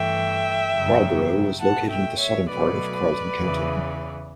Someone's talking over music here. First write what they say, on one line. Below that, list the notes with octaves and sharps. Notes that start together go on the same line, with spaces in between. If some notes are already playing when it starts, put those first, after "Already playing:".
Marlborough was located in the southern part of Carleton County.
Already playing: G2 E3 A3 E5 G5
F#2 C#3 F#3
B2 A3 F#5 A5
E5 G5
C#5 E5
B2 F#3 A3 B4 D5
E2 C#3 E3